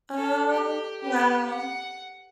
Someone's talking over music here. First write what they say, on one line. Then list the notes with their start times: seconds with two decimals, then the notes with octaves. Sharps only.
Oh, wow.
0.17 A4
0.51 G4
1.02 G4 B4
1.50 F#5